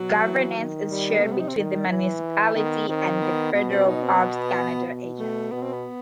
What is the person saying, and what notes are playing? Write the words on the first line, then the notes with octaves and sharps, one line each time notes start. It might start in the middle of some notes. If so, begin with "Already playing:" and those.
Governance is shared between the municipality and the federal Parks Canada agency.
Already playing: B2 F#3
E3
D#3
G3
B3
C3 A3
B3
D#4
C4
D#3
E3
D#3 B3
D#3 C4
B3
B2 B3
C4
D#4
C4
B3
B2
A3
B2 B3
C4
B3